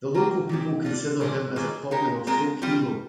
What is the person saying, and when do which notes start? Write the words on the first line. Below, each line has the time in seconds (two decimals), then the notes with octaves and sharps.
The local people consider him as a popular folk hero.
0.14 D#3 A#3 F4 A#4
0.49 A#2 G#3 C4 G4
0.85 D3 G3 D4 F4
1.20 C3 F3 G#3 D4
1.56 D#3 A#3 F4 G#4
1.91 G#3 D#4 G4 A#4
2.27 G#3 C4 F4 A#4
2.62 G3 C4 F4